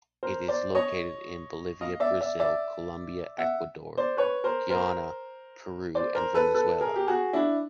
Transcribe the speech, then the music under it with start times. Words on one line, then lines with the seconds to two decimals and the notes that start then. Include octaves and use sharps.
It is located in Bolivia, Brazil, Colombia, Ecuador, Guyana, Peru, and Venezuela.
0.23 A#4 C5
0.48 C5 D5
0.75 C#5 D#5
1.81 D#5 F5
2.00 D5 E5
2.21 D5 E5
2.40 D5 E5
3.38 E5 F#5
3.97 C5 D5
4.17 B4 C#5
4.44 A#4 C5
4.70 A#4 C5
5.95 C5 D5
6.15 A#4 C5
6.35 A4 B4
6.55 A4 B4
6.81 G#4 A#4
6.96 G4
7.08 F#4 G#4
7.33 D4 E4